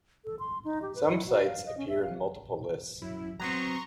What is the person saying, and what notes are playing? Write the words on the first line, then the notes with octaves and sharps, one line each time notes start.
Some sites appear in multiple lists.
A4
C6
D#4
G4
B4
E4
F#4
F5
D#5
C#4
E5
F5
F#2 E4
F#3 B3 C4 A#5 C6 C#6